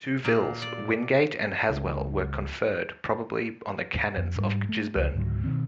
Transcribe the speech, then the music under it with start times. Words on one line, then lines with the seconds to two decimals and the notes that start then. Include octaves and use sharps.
Two vills, Wingate and Haswell, were conferred, probably on the canons of Gisburn.
0.25 A#2
0.62 D5
1.69 C#2
4.17 F2
4.36 G#2 G3
4.69 A3
4.96 C#2
5.14 C#2 G#2 D3 F#3
5.44 B2 D#3 C4